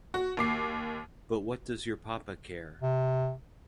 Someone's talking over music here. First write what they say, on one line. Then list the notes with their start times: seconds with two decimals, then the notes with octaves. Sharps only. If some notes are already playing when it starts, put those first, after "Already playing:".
But what does your papa care!
0.14 F#4
0.37 D#2 D6 C7
2.82 C3